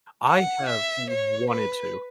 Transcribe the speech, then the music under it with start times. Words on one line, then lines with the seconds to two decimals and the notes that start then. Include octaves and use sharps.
I have wanted to.
0.29 F#5
0.69 E5
1.10 C#5
1.51 B4